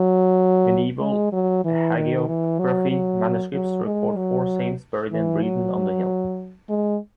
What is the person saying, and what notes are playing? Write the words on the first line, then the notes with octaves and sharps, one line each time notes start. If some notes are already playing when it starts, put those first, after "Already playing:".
Medieval Hagiography Manuscripts record four saints buried in Breedon-on-the-Hill.
Already playing: F#3
G#3
F#3
E3
D#3
E3
F#3
F#3
F#3
G#3
F#3
E3
F#3
G#3